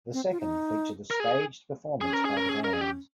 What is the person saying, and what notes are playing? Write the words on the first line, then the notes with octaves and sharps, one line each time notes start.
The second featured a staged performance by the band.
C4
F4
D#4
A#4
G#4
C#4 G#4
A#4
G#4
A#4
G#4
A#4
G#4
G4